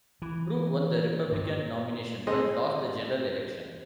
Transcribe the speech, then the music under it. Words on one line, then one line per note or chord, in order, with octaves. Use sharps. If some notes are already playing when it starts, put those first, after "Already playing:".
Brooke won the Republican nomination, but lost the general election.
E3
G2
G#3 C4 A4 D#5